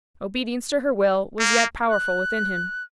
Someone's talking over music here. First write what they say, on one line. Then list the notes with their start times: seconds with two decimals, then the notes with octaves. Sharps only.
Obedience to her will was yet powerful within him.
1.39 A#3
1.90 F#6